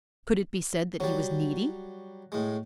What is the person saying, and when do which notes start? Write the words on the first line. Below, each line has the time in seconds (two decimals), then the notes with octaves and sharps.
Could it be said that he was needy?
1.00 F#3 G3 F#4 C#5
2.32 A2 G#3